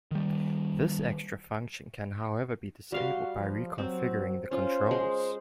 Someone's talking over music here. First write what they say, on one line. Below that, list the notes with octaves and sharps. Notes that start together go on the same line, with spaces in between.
This extra function can however be disabled by reconfiguring the controls.
D#3 G3
G3 F#4 F5 C6
F3
F#3 C4
C#4 F4 C5
G#3